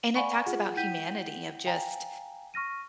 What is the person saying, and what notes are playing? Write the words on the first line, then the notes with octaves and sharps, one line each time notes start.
And it talks about humanity of just
D5 F5 F#5 G#5 B5 C#6
F4 G#4 F#5
E4 F#5 G5 G6 B6 D#7
F5 G5 G#5 A#5
C#6 F6 A#6 D#7